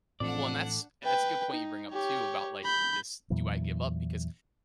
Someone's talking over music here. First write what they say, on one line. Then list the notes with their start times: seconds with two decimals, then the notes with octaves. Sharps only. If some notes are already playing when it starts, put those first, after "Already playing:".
Well, and that's that's a good point you bring up, too, about like this "Do I give up?" Because
0.20 F2 A2 E3 A3 D4 A4 D5 F#5
1.04 B4 G5
1.52 D#4
1.92 G4 C#5
2.64 B5 G6
3.30 E2 A#2 E3 F#3